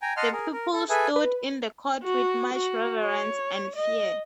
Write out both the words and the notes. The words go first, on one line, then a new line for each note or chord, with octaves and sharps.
The people stood in the court with much reverence and fear.
G5 G#5 A#5
D#5 F#5 A5 C6 F6
G#4 A#4
A#4
A4
G#4 A4 B4 E5 G#5
B4
F#4
F#4
C#5
D#5